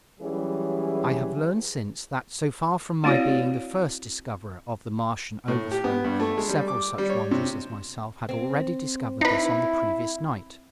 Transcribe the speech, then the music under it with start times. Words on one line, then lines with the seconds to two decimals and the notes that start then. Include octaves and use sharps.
I have learned since that, so far from my being the first discoverer of the Martian overthrow, several such wanderers as myself had already discovered this on the previous night.
0.20 E3 F#3 G3 C#4 G#4
3.04 A3 C4 E4 F#4 C#5 D5
5.48 A2
5.71 G4
5.84 B3
6.04 G2
6.20 A3
6.37 G#3
6.49 G3
6.68 D6
6.98 G3
7.10 C#5
7.31 C3
8.29 C4
9.21 D#4 E4 B4